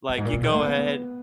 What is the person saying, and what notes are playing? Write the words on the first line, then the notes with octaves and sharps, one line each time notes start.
Like, you go ahead,
F#2
G#2
A#2
B2
C#3
A#3
B3